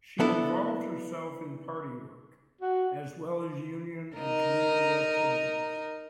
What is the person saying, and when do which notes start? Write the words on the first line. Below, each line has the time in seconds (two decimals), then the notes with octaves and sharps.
She involved herself in party work, as well as union and community activities.
0.20 B3 D4 E4 A4
2.61 F#4
4.17 D#4 A#4